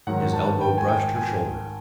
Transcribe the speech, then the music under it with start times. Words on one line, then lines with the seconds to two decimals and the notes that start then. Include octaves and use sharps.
His elbow brushed her shoulder.
0.07 G#2 D#3 F#3 F#5
0.33 A5
0.61 G5
0.78 G#5
0.88 G5
1.16 G#5